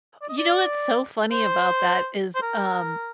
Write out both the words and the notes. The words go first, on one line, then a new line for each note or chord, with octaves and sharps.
You know what's so funny about that is, um,
D5
D#5
D5
C5
C5
A#4